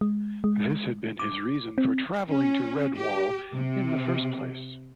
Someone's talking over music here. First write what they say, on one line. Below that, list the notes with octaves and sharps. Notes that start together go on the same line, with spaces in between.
This had been his reason for travelling to Redwall in the first place.
G#3
G#3
D6
C4
C#4
G4
C3